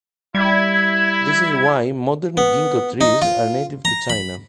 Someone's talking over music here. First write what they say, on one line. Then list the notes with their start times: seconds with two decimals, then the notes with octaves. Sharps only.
This is why modern "Ginkgo" trees are native to China.
0.35 G3 E4 G#6
2.37 B3
3.01 D#4
3.22 F4
3.85 A#5
4.10 B5